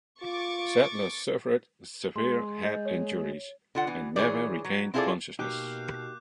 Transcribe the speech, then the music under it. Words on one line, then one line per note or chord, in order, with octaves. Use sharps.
Sadler suffered severe head injuries and never regained consciousness.
F4 C#6 D6 A6
G#3 C6
D#5 G6
C#5
D3 F4 F#5
E3 B3
E3 G#4 C#5 D5
F#3
C4 E4 F4 G#4 A4 D5
B2 A#3 D#4 G4 F5 D6 F#6 G6